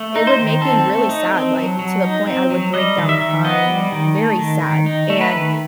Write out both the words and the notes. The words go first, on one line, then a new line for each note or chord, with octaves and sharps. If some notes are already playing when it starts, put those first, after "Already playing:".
It would make me really sad, like, to the point I would break down crying. Very sad, and
Already playing: A3
D#4
C5
D#3
C4 A4
A3
D#4
C4
F#3
F#3
D#4
C4
F#3
G3 D#5
D#3
E5
D#3
B3 D#5
G3
D#3
A3
D#3
D#3
D#4
A3
B4
D#3